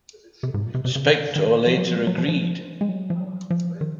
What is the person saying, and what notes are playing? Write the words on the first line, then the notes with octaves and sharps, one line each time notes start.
Spector later agreed.
C3
G#2
A#2
C3
C3
C#3
D#3
D#3
F3
F#3
F3
G#3
F#3
F3
F3
G#3
F#3
F3
F#3
F3
D#3